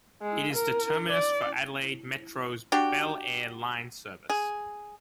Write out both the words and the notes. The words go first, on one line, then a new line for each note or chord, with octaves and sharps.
It is the terminus for Adelaide Metro's Belair line service.
G#3
A#4
D5
D4 F#4 G4
G#4